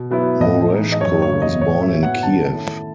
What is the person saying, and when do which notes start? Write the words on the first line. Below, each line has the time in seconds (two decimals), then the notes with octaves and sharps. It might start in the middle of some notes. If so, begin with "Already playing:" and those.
Murashko was born in Kiev.
Already playing: B2
0.11 F#3 B3 E4
0.40 A2 D#5
0.71 E3 G#3 D#4
0.92 D#5
1.01 F#2 C#5
1.22 C#5
1.32 C#3 E3
1.42 D#5
1.61 A2 C#5
1.82 E5
1.92 F#3 B3
2.03 F#5
2.23 D#3 A5
2.53 A3 C#4 E4